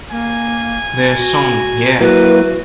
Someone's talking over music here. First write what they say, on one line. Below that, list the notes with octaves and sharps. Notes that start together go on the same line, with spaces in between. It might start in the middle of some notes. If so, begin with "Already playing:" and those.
Their song Yeah!
A#3 G#5
F#4
F#3 A#3 E4 F#4 B4